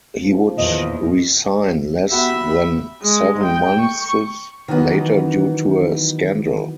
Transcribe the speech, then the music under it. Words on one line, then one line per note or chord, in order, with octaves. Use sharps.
He would resign less than seven months later due to a scandal.
F3
E2 A#2 D#3 D#5
B3 F#4 G4 E5 B5
G#3
G5
C#6
D#3 E3 F#3 B3 D#4